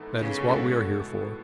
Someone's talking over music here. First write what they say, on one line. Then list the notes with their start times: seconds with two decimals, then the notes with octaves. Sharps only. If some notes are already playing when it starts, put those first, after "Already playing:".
That is what we are here for.
Already playing: G#2 E3 B3 D#4 A4
0.18 C#3
0.48 A2 G#3 B3 F#4 A4